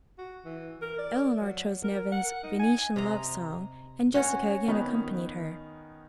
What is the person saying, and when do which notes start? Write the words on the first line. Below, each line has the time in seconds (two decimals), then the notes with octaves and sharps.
Eleanor chose Nevin's "Venetian Love Song," and Jessica again accompanied her.
0.18 F#4
0.45 E3
0.82 A#4
0.98 D5
1.41 F#3
1.83 A#4
2.12 F#5
2.43 D#4
2.59 G#5
2.96 C3 D#5 A#5
4.14 C#4 F#4 C#5
4.68 D#3 B3 C#4 D#4